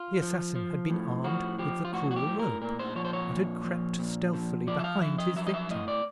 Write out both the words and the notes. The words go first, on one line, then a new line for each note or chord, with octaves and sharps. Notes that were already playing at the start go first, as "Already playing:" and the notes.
The assassin had been armed with the cruel rope, and had crept stealthily behind his victim.
Already playing: F4
F3
F3
A2
F3 F#4
F3 G4
F4
A2 F#4
F#4
G4
A2
A#4
A#2 A#4
C5
F3 C#5
C5
C#5
A#2
F3
A#2
F3
F3 D5
E5
F5
F3 E5
D#5
F#3 E5
D#5
E5
A2 D#5
D5